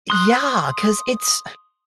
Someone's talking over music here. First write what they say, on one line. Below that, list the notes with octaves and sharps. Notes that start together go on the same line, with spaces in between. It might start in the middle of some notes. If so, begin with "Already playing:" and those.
Yeah. 'Cause it's
C6 D#6 F#6